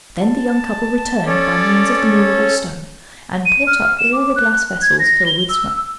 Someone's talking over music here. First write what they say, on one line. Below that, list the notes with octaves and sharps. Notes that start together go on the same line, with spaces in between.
Then the young couple returned by means of the movable stone, and brought up all the glass vessels filled with smoke.
A5
C#4 A4 C#5 D5
D#7
F6
E7
D6
F#6
F#6
G#6
A#6
G7
E6